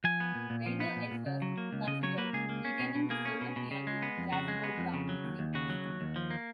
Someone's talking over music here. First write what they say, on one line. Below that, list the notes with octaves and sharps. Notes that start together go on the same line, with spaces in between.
Reiner at first considered retaining the solo piano "Jazzbo Brown" sequence.
F3 G#5
B3
A#2
A#2
F3
B3
A#2
A#2
C#3
F#3
A#3
C#2
C#3 D#5
F#3 C#5
A#3 B4
C#2 G#4
A#3
C#4
B2
B2
A#3 G#4
C#4
B2
B2
C#3
G#3
B3
F2
C#3 F#4
G#3
B3
F2
C#3
F#3
D#2
D#2
C#3 F#4
F#3
D#2
D#2
F3
A#3